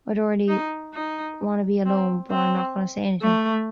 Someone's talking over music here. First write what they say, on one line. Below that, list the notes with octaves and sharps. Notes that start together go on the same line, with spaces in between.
I don't really wanna be alone, but I'm not gonna say anything.
D#4
D#4
C4
C4
A3